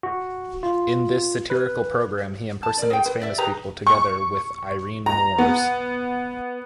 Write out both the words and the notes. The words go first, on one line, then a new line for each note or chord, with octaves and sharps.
In this satirical program, he impersonates famous people, together with Irene Moors.
F#4
F4
B4
A5
A#4 D5
G#4 G5
B4
D5 E5
G4 G#4 B4 A#5
C#6
A#5
B3